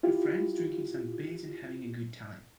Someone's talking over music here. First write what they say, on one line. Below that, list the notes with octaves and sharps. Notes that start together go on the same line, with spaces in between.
Two friends drinking some beers and having a good time.
E4 F4 G4